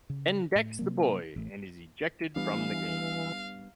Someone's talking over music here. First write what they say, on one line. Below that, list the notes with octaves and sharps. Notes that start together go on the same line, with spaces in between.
Ben decks the boy and is ejected from the game.
C#3
A2
C3 F#3 A#3
A1 A3
E3 G3 B3 D4 F5